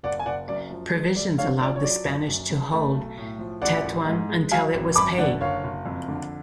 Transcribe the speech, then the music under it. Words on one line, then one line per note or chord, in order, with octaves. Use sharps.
Provisions allowed the Spanish to hold Tetouan until it was paid.
F#1 D5 F#5
G#5
F#1 D5 F#5
F#2 D5
F3
G#3
D2 D5
D3 C#5 F5
F3 D5
C#5
F#3 D5
F#1
F#2
C#3
A3
B1
A2
F3
A1 D5 F#5
A1
G#2
G#3
F#3 F5 G#5
G#1
F#2 B5 D6
D3 D5 F#5
F#1 C#5 F5
F#1
F2
D3